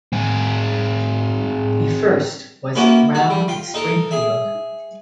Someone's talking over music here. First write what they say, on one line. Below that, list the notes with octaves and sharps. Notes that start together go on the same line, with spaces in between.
The first was "Round Springfield".
C4 G#4
A#3 B3 C#4 E4 F#4
F#4
G3
F4 G5
D#4 A4 A#4
G#4 E5